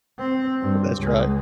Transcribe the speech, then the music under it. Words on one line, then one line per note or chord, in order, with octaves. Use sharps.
but that's right.
C4
G2
C#2 G#3